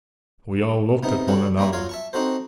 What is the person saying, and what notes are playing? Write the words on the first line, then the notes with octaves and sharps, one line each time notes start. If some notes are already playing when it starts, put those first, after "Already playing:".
We all looked at one another.
C3 B3 D#4
G3 C#4 F#4 A4
G3 A#3 C#4 E5
F#3 F4 C#5 F5
E5 A5 C#6
C4 D#4 F#4 A4 C5